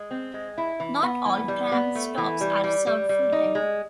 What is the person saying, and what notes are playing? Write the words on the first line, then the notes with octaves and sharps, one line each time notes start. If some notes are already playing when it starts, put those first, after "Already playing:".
Not all tram stops are served full-time.
Already playing: G#3
C4
G#3
E4
E3
B3
E3
G3
B3
A3
E3
G3
G3
G3
G3
D#4
G#3